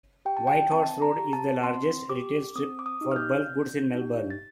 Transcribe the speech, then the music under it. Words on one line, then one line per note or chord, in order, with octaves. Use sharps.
Whitehorse Road is the largest retail strip for bulkgoods in Melbourne.
G4 G5
A5
G5
C4 A5
A#5
G4
A5
C4 C6
G4 D6
C4 D#6
D6
D#6
D#4 G4
F6
G6
C4
D#4 G4
A6